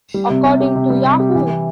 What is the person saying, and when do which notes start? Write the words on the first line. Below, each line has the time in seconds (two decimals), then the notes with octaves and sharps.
According to Yahoo!
0.14 G3
0.30 C3
0.45 C3
0.60 G4
0.76 C3
0.90 G3
1.05 C3
1.20 G4
1.35 E3
1.49 E4